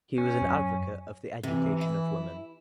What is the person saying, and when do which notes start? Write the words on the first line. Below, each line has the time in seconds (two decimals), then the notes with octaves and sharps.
He was an advocate of the education of women.
0.18 C#4
0.42 F#2
1.43 C3 E3
1.81 E4